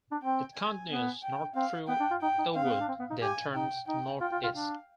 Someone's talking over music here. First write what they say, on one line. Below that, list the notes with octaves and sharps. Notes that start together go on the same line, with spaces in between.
It continues north through Elwood, then turns northeast.
D4
C4 G5
G#5
B3
G5
C4 F5
B3 G5
D4
F4
D#4 G5
D#4
C4 F5
B3
C4
D4
C4
B3
D#4
G4 G#5
D#4 G5
D#4 G5
F4 G5
F4
F4
D4 F5